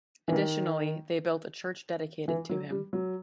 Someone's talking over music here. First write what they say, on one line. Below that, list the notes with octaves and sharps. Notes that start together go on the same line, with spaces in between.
Additionally they built a church dedicated to him.
E3
D#3
E3
F#3
G3
F#3